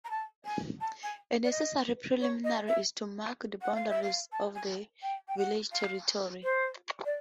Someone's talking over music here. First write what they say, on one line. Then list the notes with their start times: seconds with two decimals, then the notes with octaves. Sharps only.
A necessary preliminary is to mark the boundaries of the village territory.
0.04 A#5
0.10 A5
0.45 G#5
0.80 A5
1.03 G#5
1.43 D5
1.50 D#5
2.20 C#5
2.44 D#5
2.67 E5
3.61 F#5
3.75 F5
3.89 E5
4.02 F5
4.31 A5
4.55 G#5
5.02 G5
5.28 G5
5.37 F#5
5.72 F5
6.43 C5
7.05 D5